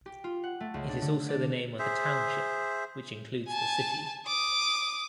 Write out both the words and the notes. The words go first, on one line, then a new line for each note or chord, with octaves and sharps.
It is also the name of the township which includes the city.
G4
F4
F#5
A3
C#2
D4
D3
D5
G#4 C5 E5
G#5 A5
D6 D#6